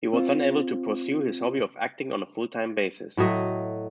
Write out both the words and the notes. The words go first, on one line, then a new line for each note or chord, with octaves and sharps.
He was then able to pursue his hobby of acting on a full-time basis.
C4 F4
A2 F#3 A3 D#5